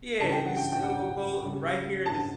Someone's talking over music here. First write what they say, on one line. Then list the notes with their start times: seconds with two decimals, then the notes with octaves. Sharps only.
Yeah, you still gone go right here in this"
0.20 C#3 E3 G3 A5
0.32 G5
0.45 F#5
0.57 G5
0.72 G5
0.83 F#5
1.44 C#3 G3
2.06 A5